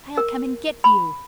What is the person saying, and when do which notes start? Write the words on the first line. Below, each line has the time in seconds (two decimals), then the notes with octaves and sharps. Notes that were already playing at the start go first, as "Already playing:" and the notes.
"I'll come and get you."
0.17 A#4
0.84 B5